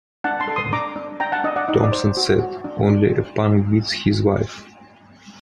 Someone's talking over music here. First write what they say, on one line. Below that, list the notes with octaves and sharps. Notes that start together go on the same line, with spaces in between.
Thompson said: Only a punk beats his wife.
D4 F#5 A5
A5 C6
A4
C6 D#6
D4 A#5 D6
D4
D4 G5 A#5
F#5 A5
D4 D#5
D5 F#5
D#4 D#5
D5
C5
F#4
F#4
D4
D4